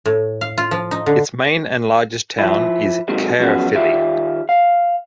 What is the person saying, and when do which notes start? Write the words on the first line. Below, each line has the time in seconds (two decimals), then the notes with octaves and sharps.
Its main and largest town is Caerphilly.
0.06 A2
0.41 F5
0.58 F4
0.71 F3
0.91 D#4
1.06 D3
2.39 F3 E4
3.08 G#2 C3 D#3 F#3 G#3
3.39 F3 F#3 G#3 B3 C#4
3.74 D#3 F4 G4 E5
4.49 F5